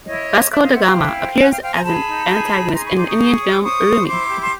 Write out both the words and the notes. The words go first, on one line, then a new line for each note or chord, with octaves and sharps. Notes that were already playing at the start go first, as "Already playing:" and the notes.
Vasco da Gama appears as an antagonist in the Indian film "Urumi".
E4 C#5 D#5
C5
C5 D5 E5
D#5 F5
C5 E5 F#5
F5 G5
E4
C5
C5 F#5 G#5
F5 G5
C5 F5 G5
G#5 A#5
G#4 A5 B5
D#4
G#4
D#4
G#4 A#5 C6
B5 C#6
D#4 C6 D6
C#6 D#6
G#4
C#5
F6
E6
C5 C#6 D#6
C5
E4 C6 D6
G4
C6